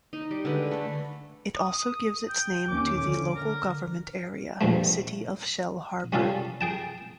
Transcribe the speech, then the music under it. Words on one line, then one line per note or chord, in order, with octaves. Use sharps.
It also gives its name to the local government area, City of Shellharbour.
D#4
G3
D3 G#3 B4
A3
D#6
G5
D#2 C#4 D6
D3
A#4
A#1 E2 G2 F3 A3
G3 C#4 F4 G#4 A4
G#4 G5 A5